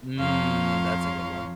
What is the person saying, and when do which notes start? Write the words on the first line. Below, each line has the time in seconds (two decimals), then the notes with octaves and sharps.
Mm. That's a good one.
0.17 F2 F3 C#5 F5 A#5 C6